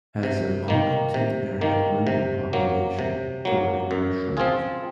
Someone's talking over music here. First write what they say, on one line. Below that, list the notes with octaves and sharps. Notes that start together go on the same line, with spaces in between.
As the Moncton area grew in population, the riding shrank.
C3
D#3 A#3
C3
D#3 A#3
C3
F#3 A#3
C3
F#3 A#3
F#2
F3 C4 F4 G#4